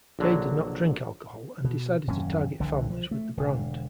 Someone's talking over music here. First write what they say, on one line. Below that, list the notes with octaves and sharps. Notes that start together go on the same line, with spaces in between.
Day did not drink alcohol, and decided to target families with the brand.
A#1 D3 F#3
B2
D#1 F#2 F3 C#4
F1 C2 D3 E3
F3
A3
E1 D3